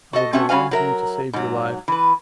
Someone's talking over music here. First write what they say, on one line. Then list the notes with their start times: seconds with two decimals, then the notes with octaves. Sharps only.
I will belong to you to save your life.
0.13 F#4 A4 D#5
0.33 A3 C4 C#4 F#4 E5 A5
0.49 G3 C#4 F#4 F5 G#5
0.71 F#3 A#4 E5
1.33 G#2 F#3
1.88 E3 B4